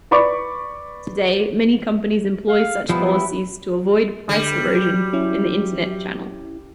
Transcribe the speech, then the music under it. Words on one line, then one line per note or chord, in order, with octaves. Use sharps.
Today, many companies employ such policies to avoid price erosion in the internet channel.
B4 D5 B5 C#6 D6
F5
F3 G3 B3 E4
D3 G3
F#3
C#4 E4